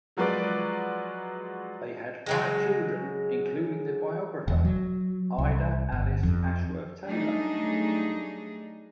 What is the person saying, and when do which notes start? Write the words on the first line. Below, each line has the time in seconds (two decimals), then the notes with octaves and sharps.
They had five children, including the biographer Ida Alice Ashworth Taylor.
0.17 F3 F#3 G#3 F4 B4 D5
2.26 C#3 F#3 G#3
4.48 E1
4.65 F#3
5.38 C2
5.92 G1
6.23 F2
7.06 F#3 G3 A3 D4 D#4 G#4